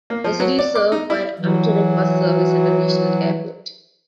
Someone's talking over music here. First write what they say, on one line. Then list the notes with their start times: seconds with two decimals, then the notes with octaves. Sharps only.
The city is served by Amtrak, bus service, and a regional airport.
0.10 A#3
0.24 F3
0.40 F#3
0.59 D5
0.75 D6
0.92 D#4
1.10 E4
1.39 E3 F#3